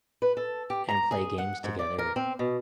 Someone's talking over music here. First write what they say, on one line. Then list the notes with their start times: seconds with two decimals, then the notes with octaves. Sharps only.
and play games together,
0.22 B4
0.37 A4
0.70 G4
0.89 A#5
1.11 G#4
1.38 F#5
1.64 G#2
1.79 D5
1.99 A#4
2.16 C4
2.39 B2